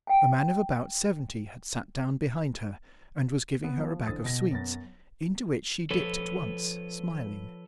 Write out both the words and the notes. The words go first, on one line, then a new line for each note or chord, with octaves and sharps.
A man of about seventy had sat down behind her, and was giving her a bag of sweets, into which she dipped at once, smiling.
G5 G#5
B3
F3
A1 D3 C5 D#6 A6
B2 A#6
F#2 B3 A6
F3 A4 B4 C#5